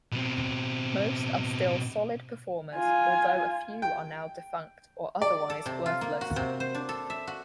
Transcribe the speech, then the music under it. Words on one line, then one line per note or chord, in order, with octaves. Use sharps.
Most are still solid performers, although a few are now defunct or otherwise worthless.
B2 C4
F4 G#5
G5
D5
A4
C3
F4
A#3
F#4
C3
C5
D4
A4
E5
F#4